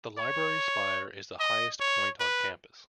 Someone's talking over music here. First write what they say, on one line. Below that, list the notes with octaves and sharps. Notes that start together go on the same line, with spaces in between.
The Library spire is the highest point on campus.
C#5
D#5
C#5
B4